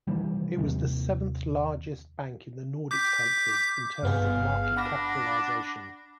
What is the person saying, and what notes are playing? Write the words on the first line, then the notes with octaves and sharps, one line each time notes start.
It was seventh largest bank in the Nordic countries in terms of market capitalization.
C3 D#3 E3 G3
D#2 C3 D#3
D6 G6 B6
G1 B3 G#4 F5
D4 F#5 B5 A#6